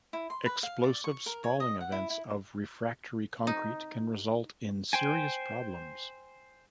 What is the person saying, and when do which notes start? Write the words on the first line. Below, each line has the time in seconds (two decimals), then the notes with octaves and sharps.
Explosive spalling events of refractory concrete can result in serious problems.
0.13 E4
0.30 C6
0.46 B4
0.63 F5
0.84 D5
1.04 C#6
1.26 A#4
1.44 C#5
1.60 D#5
1.81 F#5
1.92 E4
2.10 E4
3.47 D#4
4.93 C5 G5 G#5